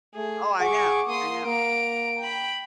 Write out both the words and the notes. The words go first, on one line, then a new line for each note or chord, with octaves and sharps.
Oh, I know, I know.
A3 G#4
G#4 F#5 C#6 D6
A#3 C6 D#6
A#3 A#5 D7
G5 B5